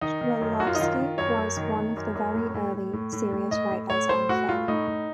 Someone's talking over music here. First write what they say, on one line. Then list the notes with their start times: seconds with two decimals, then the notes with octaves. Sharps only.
Shklovsky was one of the very early serious writers on film.
0.01 D#3 D#4
0.21 D#3
0.41 F#2
0.60 F#2 F#4
0.67 F4
0.75 D#4
0.79 D#3 F4
0.99 D#3
1.18 F#2 C#5
1.38 F#2
1.57 D#3
1.76 D#3
1.96 F#2
2.15 F#2
2.35 A2
2.54 A2
2.73 A2
2.93 A2
3.13 A2
3.32 A2
3.51 A2 D#5
3.71 A2
3.90 A2 C#5
4.09 A2 C5
4.29 A2 F#4
4.49 A2 F4
4.68 A2 D#4
4.87 A2